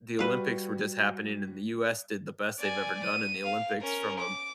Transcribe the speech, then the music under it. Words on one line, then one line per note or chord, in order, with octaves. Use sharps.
the Olympics were just happening, and the US did the best they've ever done in the Olympics from a W
G3 F#4 B4 F5
D5 G#5
D#7
F5
C#4 A#4
D6